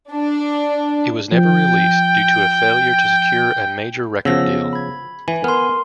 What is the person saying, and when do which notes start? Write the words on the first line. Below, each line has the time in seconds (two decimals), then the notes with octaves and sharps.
It was never released due to a failure to secure a major record deal.
0.12 D4
1.32 F3 G5
4.25 C#3 F3 B3 E6 A#6
4.73 B5 G#6
5.28 E3 G#5
5.44 B3 A#4 C6